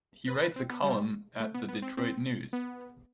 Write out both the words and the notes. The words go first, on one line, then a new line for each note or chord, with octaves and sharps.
He writes a column at "The Detroit News".
B4
B4
C4
B3
G3
A3
B3
B3
C4
C4
B3